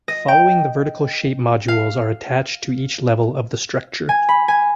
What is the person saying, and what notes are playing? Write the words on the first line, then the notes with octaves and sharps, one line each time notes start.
Following the vertical shape modules are attached to each level of the structure.
D#5
G5
F5
G#5
B5
G#5